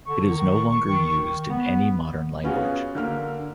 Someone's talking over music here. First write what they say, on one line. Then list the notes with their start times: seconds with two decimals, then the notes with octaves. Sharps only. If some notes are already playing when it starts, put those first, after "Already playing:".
It is no longer used in any modern language.
0.07 D3 C#6
0.30 D#3
0.87 D#3
1.50 B3
2.44 B3 C#4 F4 F#4 G#4
2.95 D3 A#3 F6